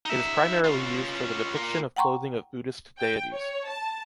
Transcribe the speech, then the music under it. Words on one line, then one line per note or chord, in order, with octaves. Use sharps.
It is primarily used for the depiction of clothing of Buddhist deities.
D#4 E5
C#4 F4
A#3 F4
F#5 G5 A#5 C6 C#6
G5
C#5
A5